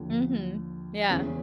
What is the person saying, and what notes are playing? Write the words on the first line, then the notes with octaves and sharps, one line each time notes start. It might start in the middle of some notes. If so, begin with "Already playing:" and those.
Mhm, yeah.
Already playing: D#2 D3 F3
E1 E2 C#3